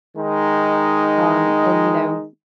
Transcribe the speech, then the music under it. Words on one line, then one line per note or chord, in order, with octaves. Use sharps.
Um, and, you know,
D#3 G#3 D#4